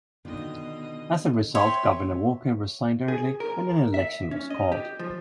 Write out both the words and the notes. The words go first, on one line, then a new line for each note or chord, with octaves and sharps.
As a result Governor Walker resigned early and an election was called.
B2 D3 D#3 F4 D#5
C#5 E5 G5 C6
G#4
A#4
E5
C#4
D#5
G4
F3